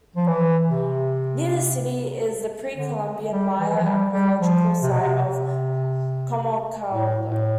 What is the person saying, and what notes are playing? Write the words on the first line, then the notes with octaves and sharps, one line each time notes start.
Near the city is the Pre-Columbian Maya archaeological site of Comalcalco.
F3
E3
C3
D3
G3
E3
F3
G3
G3
F3
C3
B2
C3
C3
A2
A2